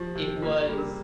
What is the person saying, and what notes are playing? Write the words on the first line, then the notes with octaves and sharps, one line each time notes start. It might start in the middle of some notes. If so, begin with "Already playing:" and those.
It was
Already playing: F3 G4
C3
A#3 F4
G4
G3 G#4
A#4